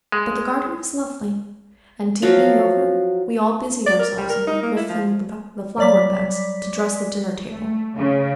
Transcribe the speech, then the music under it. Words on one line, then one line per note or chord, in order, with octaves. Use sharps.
But the garden was lovely, and tea being over, we all busied ourselves in rifling the flowerbeds to dress the dinner table.
G#3
F3 F#3 F#4 F5
D5
A#4
G3
A#4
D#4
A#3
E4
F3
F#3 G3 D5 D6 B6
A3
C#3